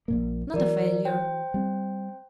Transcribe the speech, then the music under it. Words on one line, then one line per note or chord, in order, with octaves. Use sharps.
'Not a failure.
A#1 A#2 A#3
E3 F#3 A#4 D5
C5 G5
G3 C4